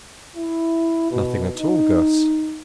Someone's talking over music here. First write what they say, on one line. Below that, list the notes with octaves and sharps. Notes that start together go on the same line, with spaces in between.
"Nothing at all, Guss."
E4
B2
D#4